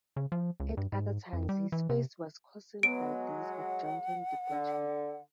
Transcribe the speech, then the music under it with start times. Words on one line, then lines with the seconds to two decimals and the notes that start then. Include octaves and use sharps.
At other times his face was coarsened by days of drunken debauchery.
0.16 C#3
0.32 F3
0.60 C#2
0.77 G2
0.92 G#2
1.33 F2
1.49 G3
1.72 E3
1.89 C3
2.83 F#3 G#3 B3 D7
3.47 F#5
4.51 D3